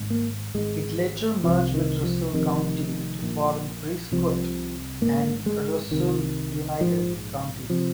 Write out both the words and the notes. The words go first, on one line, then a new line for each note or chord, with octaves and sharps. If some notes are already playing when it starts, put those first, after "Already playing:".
It later merged with Russell County to form Prescott and Russell United Counties.
Already playing: G#1 G#2
A#3
G#1 G#2 G#3
C2 C3 F3
D#3
F3
F1 F2 C3 D#3
A#1 A#2
C2 C3 F3
G#1 G#2 A#3
G#3
C2 C3 D#3
A#1 G#2 F3
C3 F3